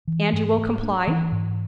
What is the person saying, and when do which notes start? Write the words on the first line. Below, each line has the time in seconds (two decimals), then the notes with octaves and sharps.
"And you will comply?"
0.08 E3
0.33 G#2
0.58 A3
0.83 D4
1.07 E3
1.32 G#2